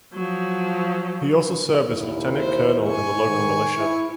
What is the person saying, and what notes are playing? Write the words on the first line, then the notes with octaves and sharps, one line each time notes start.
He also served as lieutenant-colonel in the local militia.
F3 F#3
D#2 E4
C5
G#5 C#6
G#2 D#3
E4